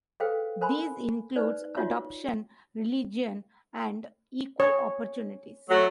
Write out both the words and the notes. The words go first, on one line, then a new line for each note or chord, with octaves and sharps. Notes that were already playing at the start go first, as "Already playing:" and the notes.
These include adoption, religion and equal opportunities.
G#4 A4 B4 C5 F5 G5
A#4 C5 G#5 B5 C6
D#4 B4 C5 D5
D#4 F4 F#4 C#5 E5
C#5
F#3 A3